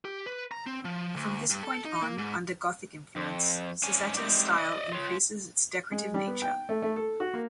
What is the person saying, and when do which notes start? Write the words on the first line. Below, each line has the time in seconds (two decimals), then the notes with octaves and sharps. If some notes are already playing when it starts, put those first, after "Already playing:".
From this point on, under Gothic influence, Sassetta's style increases its decorative nature.
0.05 G4
0.26 B4
0.51 A#5
0.66 C4
0.85 F3
1.16 D2
1.50 G2
1.63 A4
1.85 D#4
2.02 A#3
2.18 G#2
3.16 F2
3.83 G#2 C#4 D4 G#5
4.16 G#3 A3 C4 D#4 G4 D5
4.57 D5 D#5
4.92 F4 C#5
5.92 G#3
6.14 G3
6.27 B3
6.42 G5
6.69 A3
6.82 A3
6.96 A4
7.20 F#4
7.34 A#3